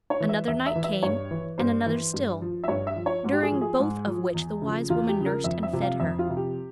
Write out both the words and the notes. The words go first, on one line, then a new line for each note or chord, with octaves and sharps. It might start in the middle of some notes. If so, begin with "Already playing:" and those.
Another night came, and another still, during both of which the wise woman nursed and fed her.
C#5
E3
E5
E2 E5
E5
E3
E5
G2 C#5
E3
G2 C5
E3
G2
F3
E5
G2 C#5
E5
F3
C#5
G#2
G4
G#4
F3
G#4
G#2
F3
E2
C#3 F3
E2 F4
G4
C#3 F3
A#4
F2 E5
E5
C3 F3
F5
F2 E5
F4
C3 F3
G4